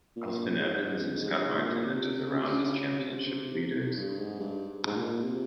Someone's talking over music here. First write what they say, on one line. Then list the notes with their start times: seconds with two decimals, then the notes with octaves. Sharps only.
Elfyn Evans and Scott Martin entered the round as championships leaders.
0.16 A#2
0.51 A#2
0.59 G#2
1.00 F2
1.22 G#2
1.29 G2
1.47 G#2
1.57 A#2
1.86 C3
2.28 C#3
2.38 C3
2.49 C#3
2.70 C#3
2.98 C3
3.26 C3
3.55 C3
3.76 C3
3.97 G2
4.18 G#2
4.40 G2
4.86 G#2
4.96 A#2
5.25 C3